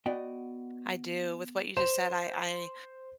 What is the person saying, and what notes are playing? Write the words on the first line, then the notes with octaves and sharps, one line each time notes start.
I do. With what you just said, I
B3 F#4 D5 D#5 G5
C5 E7